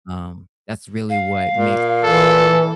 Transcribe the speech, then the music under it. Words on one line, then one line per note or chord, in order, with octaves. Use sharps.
um, that's really what makes
F5
A#2
E3 A4